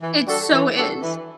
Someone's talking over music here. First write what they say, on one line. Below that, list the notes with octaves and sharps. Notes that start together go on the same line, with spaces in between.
It so is.
E3
G3 D4 F#4 A4
E3
G3 D4 F#4 A4
E3